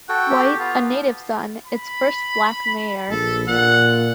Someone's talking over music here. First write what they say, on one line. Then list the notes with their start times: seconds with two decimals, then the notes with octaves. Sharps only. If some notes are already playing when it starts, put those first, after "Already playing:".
White, a native son, its first black mayor.
0.09 F#4 A4 F#5 G5
0.30 G4
0.59 B3 F4
1.66 B5
3.10 A#1 A4
3.49 A#2 F#5